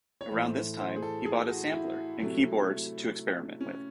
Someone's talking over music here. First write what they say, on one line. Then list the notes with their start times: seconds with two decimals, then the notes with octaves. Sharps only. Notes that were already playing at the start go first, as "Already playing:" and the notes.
Around this time he bought a sampler and keyboards to experiment with.
0.21 C#5
0.31 A2 E3 A3 C5
0.79 C5
0.96 G#4
1.02 A4
1.26 G#4
1.50 F#4
1.72 E4
2.20 C3 F#3 A3
3.61 C#4